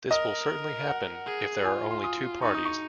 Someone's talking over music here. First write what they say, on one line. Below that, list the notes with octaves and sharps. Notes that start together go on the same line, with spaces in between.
This will certainly happen if there are only two parties.
A#4 D#5
F#5
G#4
F4 G#5
C6
D#6
D#4 C#6
D#6
C#6